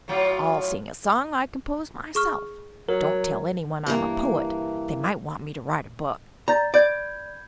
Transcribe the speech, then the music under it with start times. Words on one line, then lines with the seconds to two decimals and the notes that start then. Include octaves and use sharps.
I'll sing a song I composed myself. Don't tell anyone I'm a poet; they might want me to write a book.
0.08 A2 F#3 F4
2.15 G#4 C#6 F6
2.89 F#3 A#4
3.86 G2 E3 A#3
6.48 D5 A#5 G6 A6
6.74 D5 B5 G6 G#6